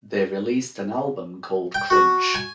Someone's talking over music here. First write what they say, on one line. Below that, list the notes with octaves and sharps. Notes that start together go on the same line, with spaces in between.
They released an album called Crunch!
G5
F#4
G#5